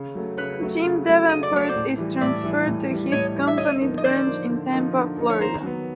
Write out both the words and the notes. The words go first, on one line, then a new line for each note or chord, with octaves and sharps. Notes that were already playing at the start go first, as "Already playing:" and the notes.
Jim Davenport is transferred to his company's branch in Tampa, Florida.
Already playing: C#3
F#3 A3
C#3 B4 C#5
F#3 A3
C#3
F#3 A3
C#3 D#5
D5
F#3 A3 C#5
C5 D5
A2
E3 G3
A2 D5 E5
E3 G3
A2
E3 G3
A2 C#5 D#5
E3 G3
E5
D3 C#5 D#5
F3 A#3 D#4
D#5
D3 C5 D5
F3 A#3 D#4
D3
F3 A#3 D#4
D3
F3 A#3 D#4
C#5
D#3 A#4 C5
F#3 B3